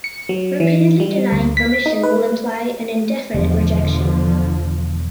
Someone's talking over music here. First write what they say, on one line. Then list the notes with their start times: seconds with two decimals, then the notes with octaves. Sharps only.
Repeatedly denying permission will imply an indefinite rejection.
0.04 C#7
0.29 F#3
0.60 E3
1.00 G3
1.32 D2
1.57 B6
1.86 D#4
2.03 B4
3.34 E1 B2 D3 F3